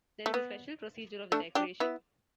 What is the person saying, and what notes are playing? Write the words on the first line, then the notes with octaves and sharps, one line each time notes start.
There is a special procedure of the decoration.
A3
B3
A3 D4
D4 G4
B3 E4